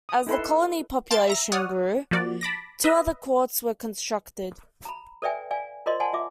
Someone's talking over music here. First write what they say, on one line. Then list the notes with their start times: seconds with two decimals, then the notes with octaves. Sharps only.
As the colony's population grew, two other courts were constructed.
0.09 D#6
0.27 D#4 E4 A4 B4 C6
1.11 F5 A5 C6 D6 G6 A6
1.27 E5 A#5 A#6
1.52 C#5 D5 F#5 D#6 F6
2.11 F3 A#3 F#4 D5
2.41 A5 B5 D6 A#6
2.84 B4 D#5 E5
4.85 A#5 B5
5.22 A4 B4 D5 E5 G5 G#5
5.51 D5 F5 G#5
5.86 F4 A#4 C5 D5 D#5 C6
6.00 D5 F#5 G#5 A5 C6
6.13 F4 E5 D6